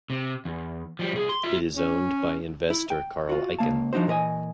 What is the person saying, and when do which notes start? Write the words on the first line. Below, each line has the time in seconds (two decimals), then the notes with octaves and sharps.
It is owned by investor Carl Icahn.
0.10 C3
0.45 E2
0.99 F3 G3
1.13 C2 G#4
1.29 C6
1.43 F4 E5
1.76 C#4
2.70 E4
2.90 G5
3.29 F4 F#4
3.59 C#2 A#3 F5 A5
3.93 F3 D4 D#4 F#4 C5
4.07 A#2 E3 A#4 D#5 G#5